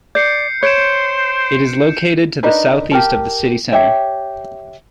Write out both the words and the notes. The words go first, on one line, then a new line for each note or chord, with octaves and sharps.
It is located to the southeast of the city centre.
D5 G6 C7 C#7
C5 C#5 C#7 D7 E7
D4 D#4 A#4 B4
G4 A#4 A5
G4 C#5 E5 G5